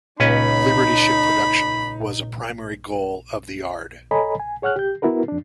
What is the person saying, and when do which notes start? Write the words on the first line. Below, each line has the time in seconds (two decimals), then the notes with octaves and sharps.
Liberty ship production was a primary goal of the yard.
0.20 C#2 A#2 C#4 D#4 B4 B5
4.11 A4 C#5 D#5 G#5 A#5 B5
4.40 G#5
4.62 G#4 C#5 F#5 F6 F#6
4.76 G4 G6
5.02 B3 E4 F#4 A#4 B4
5.28 F2 D4